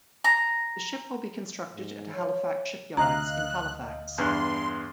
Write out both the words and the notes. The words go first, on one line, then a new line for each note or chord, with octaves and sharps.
The ship will be constructed at Halifax Shipyards in Halifax.
A#5
G#2
C#5
D2 D#5 F5 A#5 F#6
E2 G2 C6 F#6